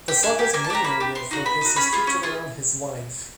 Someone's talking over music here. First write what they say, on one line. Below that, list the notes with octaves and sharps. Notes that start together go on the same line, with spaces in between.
The Saga's main area of focus is featured around his life.
G4 G5
D4 G#5
G4
A#3 G#5
A5
D4 G4 A#5
A#3 B5
D4 G4
B3 C6
D#4 F#4
B3 B5
D#4 F#4
C#4 B5
F4 G#4
C#4
F4 G#4